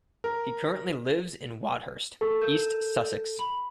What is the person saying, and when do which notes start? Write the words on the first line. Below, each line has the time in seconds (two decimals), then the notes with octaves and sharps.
He currently lives in Wadhurst, East Sussex.
0.24 A#4
2.21 A4 C#6
2.41 A#4 G6 E7
3.39 B5 F#7